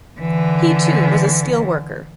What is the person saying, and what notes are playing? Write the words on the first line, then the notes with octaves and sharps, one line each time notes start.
He too, was a steel worker.
D3 E3